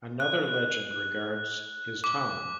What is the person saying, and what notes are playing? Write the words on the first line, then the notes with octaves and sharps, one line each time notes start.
Another legend regards his tongue.
F#6
D6